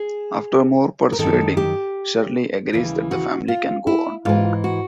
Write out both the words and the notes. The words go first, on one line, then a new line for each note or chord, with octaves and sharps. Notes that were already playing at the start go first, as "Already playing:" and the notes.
After more persuading, Shirley agrees that the family can go on tour.
Already playing: G#4
A#4
F#2 D#3 A4
G4
D#2 C#3 E3
F#4
F4
E4
G#2 E3 F4
F#4